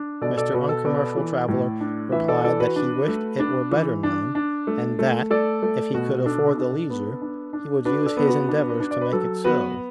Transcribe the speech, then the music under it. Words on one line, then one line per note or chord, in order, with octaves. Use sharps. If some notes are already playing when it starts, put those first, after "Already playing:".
Mr. Uncommercial Traveller replied that he wished it were better known, and that, if he could afford the leisure, he would use his endeavours to make it so.
Already playing: D4
B2 A4 D5
A4 D5
B2 F#4 B4
A4
B3 A4 D5
E3
A2
D4
E3 B4 E5
A4 D5
E3 A4 D5
F#4 B4
D4
A3
D4
E3
D4
D4
A3
A3
A3 A4 D5
A3
B2 F#4
D4 A4
D4
B3
D4
D4
D4 F#4 B4
A4 D5
B3
F#4 B4
D4
D4
D5
B4
F#3 A4
B3 F#4 B4